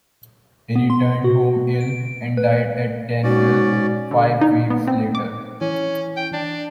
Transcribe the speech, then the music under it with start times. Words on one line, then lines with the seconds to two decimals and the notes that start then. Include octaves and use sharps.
He returned home ill, and died at Danville five weeks later.
0.76 B3
0.90 C6
1.24 F#4
1.81 D7
2.37 B4
3.23 G#2 C#4 F#4 D5
4.11 D3
4.41 D#4
4.70 B3
4.87 C4
5.15 D6
5.61 E3 C#4
6.17 G5
6.33 D4